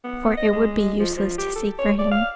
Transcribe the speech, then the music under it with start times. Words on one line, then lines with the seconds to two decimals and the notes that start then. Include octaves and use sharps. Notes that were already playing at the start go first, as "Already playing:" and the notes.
For it would be useless to seek for him.
0.04 B3
0.37 D#5
0.52 G#3
0.99 F3
1.17 F3
1.38 G4
1.56 A4
1.79 C#5
1.99 D5
2.12 F5